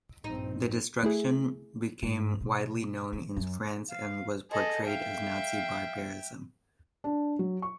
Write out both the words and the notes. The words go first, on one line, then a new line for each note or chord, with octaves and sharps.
The destruction became widely known in France and was portrayed as Nazi barbarism.
A#1 G2 C4 D#4
A3 E4 G#4
G#2
B2
E3
F#2
F5
G#4 A4 D#5
E5 F5 G5
D4
F#3
C#6